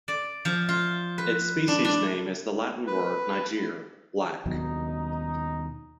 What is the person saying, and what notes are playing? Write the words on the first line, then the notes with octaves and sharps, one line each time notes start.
Its species name is the Latin word "niger" "black".
D5
F3
F4
B4
D4
D4
B4
D#2 B2 F#3 D#4